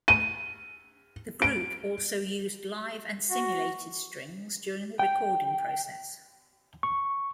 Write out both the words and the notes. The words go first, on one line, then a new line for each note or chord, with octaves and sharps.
The group also used live and simulated strings during the recording process.
D#7
D7
F#4
G5
C#6